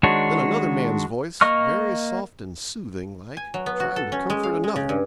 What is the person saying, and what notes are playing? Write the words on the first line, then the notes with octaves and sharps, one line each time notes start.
Then another man's voice, very soft and soothing like, trying to comfort another.
D#3 G#3 D4 F#4 C#5
A#3 D#5 C#6 F6
G#5
F#3
B3
F#4
A4
C#4
G#3
F5
G#3
C#3
G2